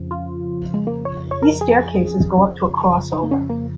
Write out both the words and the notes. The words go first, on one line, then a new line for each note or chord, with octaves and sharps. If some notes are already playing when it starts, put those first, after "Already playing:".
These staircases go up to a crossover.
Already playing: F2 C#3 F3
F4
G#3
A#3
C#5
C#5
A#4
G#4
F2 C#3 F3
D#4
A#3
C#4
A#3